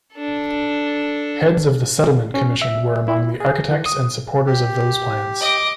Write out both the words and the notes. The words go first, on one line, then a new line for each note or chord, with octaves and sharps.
Heads of the Settlement Commission were among the architects and supporters of those plans.
D4 A4
C#4
E5
E4
G#4
E3
D#6
G4
D#5 D6